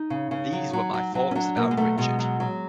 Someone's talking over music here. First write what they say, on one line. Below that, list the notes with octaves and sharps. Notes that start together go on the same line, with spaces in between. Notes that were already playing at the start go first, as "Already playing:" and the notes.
These were my thoughts about Richard.
Already playing: D#4
C#3
C#3
F#3
F#3
F#3
F#3
C#4
F#3 D4
B2 A#3
G#3
F#3 A3
B2 G#3
F#3
F#3